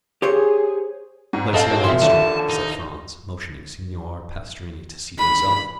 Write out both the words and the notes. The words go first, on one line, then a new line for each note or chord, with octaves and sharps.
"Let us hear the history," said Franz, motioning Signor Pastrini to seat himself.
G4 G#4 C5 C#5
G#2
C4 A4 D#5 F5 A5
F#2
E3 F3 E5 C6
D#2 D3 A5
D#4
B5